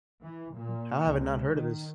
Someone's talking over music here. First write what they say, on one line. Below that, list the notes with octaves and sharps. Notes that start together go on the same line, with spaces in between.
How have I not heard of this?
E3
A#2
C#2
D#3